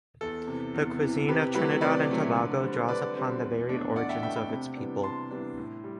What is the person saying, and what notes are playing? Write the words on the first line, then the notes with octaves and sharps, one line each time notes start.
The cuisine of Trinidad and Tobago draws upon the varied origins of its people.
E2 A4
C3 E3
E2
C3 E3
C3 G4 B4
F#3 A3 E4 G4 B4
C3 B4 D5
F#3 A3 E4
D3
G3 C4
D3 B4 D5
G3 C4
E2
B2 A3 D4
E2 D5 F#5
E5 G5
B2 A3 D4 E5 G5
G5 B5
C3
E3 G3 B3 D4
C3 A5 C6
E3 G3 B3 D4
A2
G3